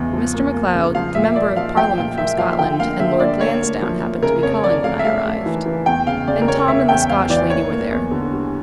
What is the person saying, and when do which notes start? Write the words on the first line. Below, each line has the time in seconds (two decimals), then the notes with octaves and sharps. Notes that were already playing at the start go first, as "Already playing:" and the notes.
Mr. MacLeod, the member of Parliament from Scotland, and Lord Lansdowne happened to be calling when I arrived, and Tom and the Scotch lady were there.
Already playing: E2 C#3 F3
0.13 F3
0.34 A#3
0.54 A#3
0.75 C#3
0.95 F3 F5
1.15 A#2 E5
1.36 A#3 D5
1.56 F3 F5
1.77 F3 G5
1.98 A#2 F5
2.18 A#3 E5
2.38 F3 F5
2.59 D3 G5
2.79 A#3 F5
3.00 D3 E5
3.20 A#3 D5
3.41 A#3 C#5
3.61 A#3
3.82 F3
4.02 A#3
4.23 C#3 A#4
4.43 F2 C#5
4.63 F2 D5
4.84 A3 F5
4.99 E5
5.05 A3 F5
5.26 A3
5.46 E3
5.66 E3
5.86 E2 G5
6.07 C#3 F5
6.28 C#3 D5
6.42 A#4
6.48 C#3 C#5
6.68 C#3 E5
6.89 E2 G5
7.09 E2 F5
7.29 E3 D5
7.50 A#3 C#5
7.71 A#3
7.91 E2
8.11 D3
8.32 G3